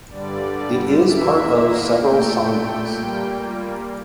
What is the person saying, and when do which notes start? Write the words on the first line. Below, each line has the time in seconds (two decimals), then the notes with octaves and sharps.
It is part of several songbooks.
0.10 G2 D3 G3 D5
1.03 E2 E3 A#3 E5
1.96 A#2 A3 G5
2.89 A#2 G3 A#3